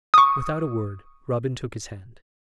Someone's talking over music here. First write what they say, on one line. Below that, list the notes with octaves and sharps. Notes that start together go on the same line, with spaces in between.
Without a word, Robin took his hand.
C#6 D#6